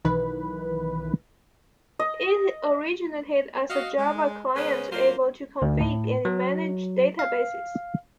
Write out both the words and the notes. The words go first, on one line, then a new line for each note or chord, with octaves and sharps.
It originated as a Java client able to configure and manage databases.
B1 D#3 E3 B4
D#5
F#4 D#5 F5
G#3
C#3 G#3 B3 C#4 B4 C5
A2 F#3 A#3 F4 C5
D2
A2
F#3
F5